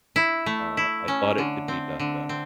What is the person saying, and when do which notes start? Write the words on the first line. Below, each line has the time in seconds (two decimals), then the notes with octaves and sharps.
Uh, I thought it could be done better.
0.16 E4
0.46 A3
0.77 E4
1.08 C#4
1.38 D3
1.68 C4
2.00 D3
2.29 C4